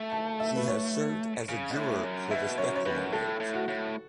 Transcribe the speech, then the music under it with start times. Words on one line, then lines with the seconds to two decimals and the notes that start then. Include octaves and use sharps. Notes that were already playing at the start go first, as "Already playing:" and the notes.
She has served as a juror for the Spectrum Awards.
Already playing: A3 A5
0.12 A5
0.40 E5
0.56 B4
0.67 C#5
1.49 C#3
1.71 B2
1.76 A2
2.04 F#2
2.31 B2 E5
2.58 F#2 C#5
2.76 C#5
2.86 F#2 B4
3.12 A2 A4
3.40 A2
3.54 F#4
3.68 A2